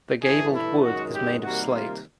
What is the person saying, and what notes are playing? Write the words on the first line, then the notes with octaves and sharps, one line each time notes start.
The gabled wood is made of slate.
G2 E3 A3 G#4
E4
F#2 D#3 G#3 F#4
G4
C3 D#3 G3 A#3 F#4
F4